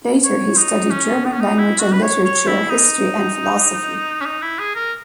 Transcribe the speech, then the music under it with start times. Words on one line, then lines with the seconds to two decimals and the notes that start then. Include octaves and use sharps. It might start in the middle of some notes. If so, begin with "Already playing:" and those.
Later he studied German language and literature, history and philosophy.
0.24 C#5
0.57 D#4
0.91 C#4
1.25 D#4
1.33 C#4
1.40 D#4
1.59 E4
1.80 F#4
1.93 B4
2.03 C#5
2.25 C#5
2.47 E4
2.70 D#4
4.21 C#4
4.25 D#4
4.42 E4
4.59 G#4
4.76 A#4